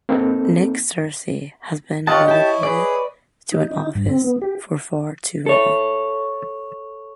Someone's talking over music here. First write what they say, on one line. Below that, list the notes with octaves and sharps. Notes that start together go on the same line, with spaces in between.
Nick Searcy has been relegated to an office for far too long.
A#3 C4 D#4 A4
F4 G4 C#5 D#5 F#5 A5
E4 G4 A5
G#4 B4 D5
D#4
D#4
G2
C4
B3
G4
A4 C#5